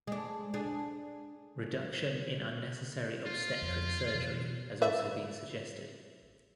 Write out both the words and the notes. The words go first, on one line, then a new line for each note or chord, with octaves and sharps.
Reduction in unnecessary obstetric surgery has also been suggested.
G#3 D4
D4 G#4
F4
F2 F3
B2 E3
B4 D5 E5